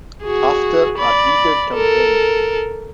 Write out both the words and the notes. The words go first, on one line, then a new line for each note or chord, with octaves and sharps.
After a heated campaign.
F#4 G#4
D5 B5
A4 A#4